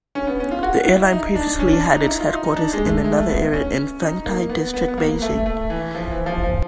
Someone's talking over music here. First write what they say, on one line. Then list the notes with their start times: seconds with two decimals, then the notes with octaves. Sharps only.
The airline previously had its headquarters in another area in Fengtai District, Beijing.
0.15 C#4
0.27 B3
0.40 C#4
0.51 F4
0.63 F#4
0.88 E4
1.12 D#4
1.35 D4
1.59 C#4
1.72 D4
1.84 D#4
1.97 D#4
2.08 E4
2.20 F4
2.33 D#4
2.44 D#4
2.56 D4
2.73 G#3
2.89 A3
3.04 G#3
3.17 A3
3.29 B3
3.53 C#4
4.02 D#4
4.26 A#3
4.49 B3
4.74 B3
4.88 B3
4.98 A#3
5.22 A3
5.46 A3
5.70 E3
5.95 F3
6.11 E3
6.26 F3
6.43 F3